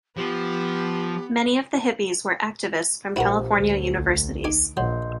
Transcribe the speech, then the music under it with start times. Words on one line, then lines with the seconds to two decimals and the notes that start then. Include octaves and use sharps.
Many of the hippies were activists from California universities.
0.17 F3 B3 G4
3.16 A#1 E4 F#4 G4 A#4 C5
3.56 D2
3.95 B1
4.44 D#4 G#5 D6
4.77 A#1 F#3 D#5 C6 G6